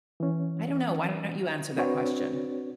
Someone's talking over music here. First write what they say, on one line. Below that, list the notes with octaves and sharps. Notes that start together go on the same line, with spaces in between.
I don't know, why don't you answer that question?
E3 C#4
C4 D4 F#4 B4 C#5